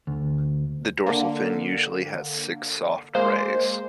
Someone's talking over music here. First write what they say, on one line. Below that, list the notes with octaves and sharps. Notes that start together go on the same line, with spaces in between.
The dorsal fin usually has six soft rays.
D2
D3 A#3
G#3 A#3 C5